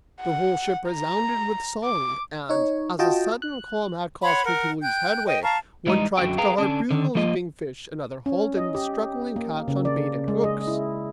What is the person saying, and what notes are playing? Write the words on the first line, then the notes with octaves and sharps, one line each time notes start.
The whole ship resounded with song and, as a sudden calm had caused her to lose headway, one tried to harpoon the leaping fish, another hauled in the struggling catch on baited hooks.
F#5
A#5
D6
D#4 C#5
F4 F#4 D#5 G5 A5
F#6
C#5 F#5 B5 C6
A#4 F#5
G5 F#6 G6
D#5 G5
F5 A5 A#5 C#6
E3 G3 G#3 D#4
F#2 D3 F#4 G5
G#4 B4 F5 G5 A#5
D3 C#4 D4
D3 D#3
F3 A#3 F4 D#5
C#4
D#5
G4
A#3
C#3
D5
G#3
D#5
E4